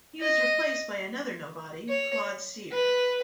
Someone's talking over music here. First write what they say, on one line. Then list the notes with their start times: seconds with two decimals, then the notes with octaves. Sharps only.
He was replaced by another nobody, Claude Cyr.
0.20 D#5
1.89 C#5
2.72 B4